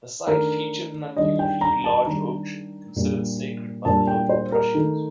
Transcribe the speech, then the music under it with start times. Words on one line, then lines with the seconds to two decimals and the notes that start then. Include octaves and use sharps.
The site featured an unusually large oak tree, considered sacred by the local Prussians.
0.27 D#3 A3 D4 A#4
1.17 D#3 G3 D4 D#5
1.39 G5
1.61 A#5
1.84 A5
2.06 D#3 G3 D4 A#5
2.96 A#2 G3 A#3 D4
3.85 A#2 G3 A#3 D4 A5
4.07 G5
4.29 C5
4.52 A#4
4.75 D#3 A3 D#4